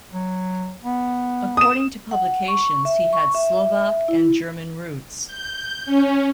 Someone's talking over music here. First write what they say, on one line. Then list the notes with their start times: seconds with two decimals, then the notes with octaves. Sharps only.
According to publications, he had Slovak, and German roots.
0.13 F#3
0.84 B3
1.57 D#6 E7
2.11 F#5
2.48 C#6
2.85 E5
3.13 C#6
3.35 E5
4.08 E4
5.26 G6
5.86 C#4